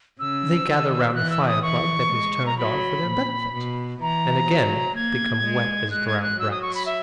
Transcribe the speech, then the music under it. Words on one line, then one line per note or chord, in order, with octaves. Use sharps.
They gather round the fire-plug that is turned on for their benefit, and again become wet as drowned rats.
C#3 E6
D#3
E3 F#6
E6
D#6
E3 C#6
G#3
A#5
F#3 B5
A#2
B2
E3 A#5
F#3
A#3 G#6
G#3
G#3 F#6
G#6
F#6
F#3 E6
D#6
C#6
B5
E5